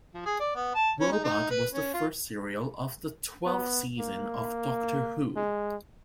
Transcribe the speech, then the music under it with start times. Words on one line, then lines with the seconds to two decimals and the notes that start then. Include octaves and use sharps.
"Robot" was the first serial of the twelfth season of "Doctor Who".
0.14 F3
0.26 G#4
0.40 D5
0.55 B3
0.75 A5
1.00 C#4
1.12 D#4
1.24 D#4
1.51 B4
1.73 C#4
1.94 F4
3.46 B3
3.99 A#3
5.36 G#3